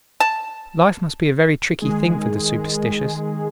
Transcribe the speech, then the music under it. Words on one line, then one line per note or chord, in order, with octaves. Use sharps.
Life must be a very tricky thing for the superstitious.
A5
D#3 G#3 G#4